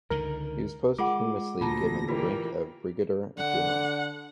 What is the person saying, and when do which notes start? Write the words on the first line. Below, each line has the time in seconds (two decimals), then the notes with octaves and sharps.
He was posthumously given the rank of Brigadier General.
0.10 C#2 D3 D#3 A#4
0.99 G#3 F4 G#4 F#5 D6
1.61 D2 A#2 D3 F4 A5 A#5 A#6
2.08 E3 G3 A#3 F4 F#4 B4
3.37 D3 F#5